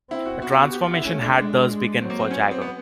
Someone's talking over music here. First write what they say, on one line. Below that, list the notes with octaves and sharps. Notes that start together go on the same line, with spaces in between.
A transformation had thus begun for Jagger.
C4 E4
F#4
B3 F#4
G4
F#4
G4
F4
E4
A3 C#4
D4
G#3
F#3 C4
A#3
C4
C#4
B3
C4
B3